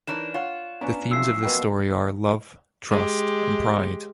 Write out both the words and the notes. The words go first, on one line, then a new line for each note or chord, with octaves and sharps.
The themes of this story are love, trust and pride.
E3 D4 D#4 A#4 C#5 D5 E7
F4 C#5 F#5
B3 C#4 D4 C#5 A#5
B1 F3 E5 E6 C7
B2 A#3 G5
G#3 G4